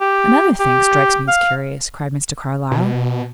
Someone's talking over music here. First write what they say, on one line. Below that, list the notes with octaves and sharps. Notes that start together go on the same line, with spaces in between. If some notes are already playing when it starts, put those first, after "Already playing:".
"Another thing strikes me as curious," cried Mr. Carlyle.
G4
G4
F5
B2